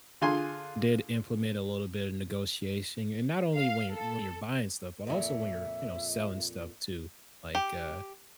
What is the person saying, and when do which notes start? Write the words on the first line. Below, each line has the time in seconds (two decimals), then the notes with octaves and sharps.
did implement a little bit of negotiation and not only when you're when you're buying stuff, but also when you're, you know, selling stuff too. Like, uh,
0.21 D3 F4 G#4 G#5 C6
3.56 F5
3.94 A4
5.07 F2 A#2 E5
7.55 G4